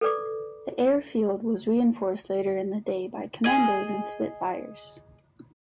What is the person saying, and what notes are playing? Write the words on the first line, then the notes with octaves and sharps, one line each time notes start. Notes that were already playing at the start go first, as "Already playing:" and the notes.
The airfield was reinforced later in the day by commandos and Spitfires.
A4 B4 D5 D6
G#4 D#5